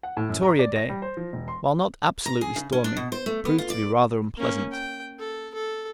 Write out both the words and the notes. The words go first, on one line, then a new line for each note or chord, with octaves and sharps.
Victoria Day, while not absolutely stormy, proved to be rather unpleasant.
F#5
A2
F#2
A#5
D5
A#6
G3
C5
F3
E1
C6
A#5
G#4
C#3
C#4
D4
B2
C5
A3
B3
F4
D5
A#3 C#4
G5
A4
A4